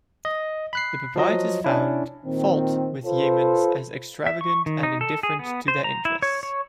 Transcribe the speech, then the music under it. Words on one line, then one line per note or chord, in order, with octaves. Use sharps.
The proprietors found fault with Yeamans as extravagant and indifferent to their interests.
D#5
B5 F#6 C7
F3 F#3 D#5
C#4 D4 E4
A#2 D#3 C4
F4 A4 B4 C5
E5
C#6
D#3
D#4
A4
G#4
B3
C5
A#5
E4
C#5
C#5